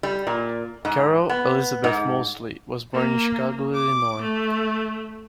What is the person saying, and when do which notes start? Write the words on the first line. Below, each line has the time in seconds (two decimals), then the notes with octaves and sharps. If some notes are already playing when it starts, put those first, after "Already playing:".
Carol Elizabeth Moseley was born in Chicago, Illinois.
0.03 G3
0.27 A#2
0.85 G#2
1.29 B3
1.84 G#2
2.93 A#3
3.73 D6
4.22 A3